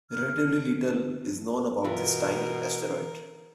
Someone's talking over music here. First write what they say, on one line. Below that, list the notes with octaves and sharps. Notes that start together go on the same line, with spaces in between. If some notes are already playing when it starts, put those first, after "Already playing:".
Relatively little is known about this tiny asteroid.
F6
B2 E3 F4 A#4 B4